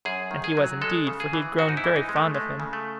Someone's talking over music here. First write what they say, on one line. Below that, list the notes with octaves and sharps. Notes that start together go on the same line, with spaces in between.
And he was indeed, for he had grown very fond of him.
F#2 G#4
D#3
G#4
F#3
G#3 A4
C#3
G#4
E3
G#2 F#4
D#4
E4
E3
D#4
G#3
A3
G#3 A3
C#3
A3